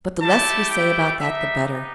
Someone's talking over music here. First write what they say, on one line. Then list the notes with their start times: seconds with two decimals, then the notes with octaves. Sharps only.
But the less we say about that the better.
0.22 A3 E4 G4 A5
0.70 G5
1.18 B3 D#4 G4 E5